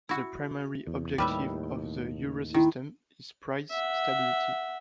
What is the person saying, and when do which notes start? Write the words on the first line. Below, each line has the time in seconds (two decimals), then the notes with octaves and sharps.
The primary objective of the Eurosystem is price stability.
0.09 E4 F#4
0.87 E2
1.18 D#2 A2 G3 B4 E5
2.54 D#3 E4
3.71 E5 F#5